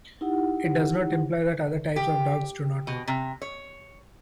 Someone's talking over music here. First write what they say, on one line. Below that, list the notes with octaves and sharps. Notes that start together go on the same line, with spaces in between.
It does not imply that other types of dogs do not work.
D#4 E4 G4 F#5
G4
B2
C3
C#5